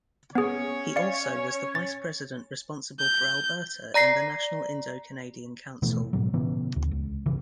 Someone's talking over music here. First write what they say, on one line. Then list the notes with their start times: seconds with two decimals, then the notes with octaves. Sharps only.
He also was the vice-president responsible for Alberta in the National Indo-Canadian Council.
0.35 B3 C#4 G#4 C#5
0.96 D5 F5 C#7
1.75 A6
3.00 G6
3.94 D5 A#5 A#6 C7
5.82 B2 E3 A3
6.13 G#2 B2 F#3
6.34 A#2 C#3 E3 B3
6.76 D2
6.91 C#2
7.26 C2 C#3 E3